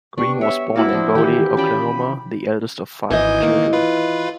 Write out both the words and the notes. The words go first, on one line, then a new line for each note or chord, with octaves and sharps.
Green was born in Boley, Oklahoma, the eldest of five children.
B3 D4 G4 C#6
C#5 E5
A#3 E4 F#4 A5 B5
F3 A#3 D4 A#4 C5
D#3 E3 A#3 G4
C#4 F4 D5 G5 A5 B5
G#1 E3 D#5 G#5 G6
D#3 A#3
F4 B4